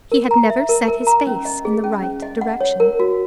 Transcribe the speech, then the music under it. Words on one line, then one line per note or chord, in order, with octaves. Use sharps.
He had never set his face in the right direction.
A#4
A#5
E5
A#4
A#4
A#5
C#4
D#5
G#4
C#4
C#4
D#5
F#5
C#5
A#4
F#4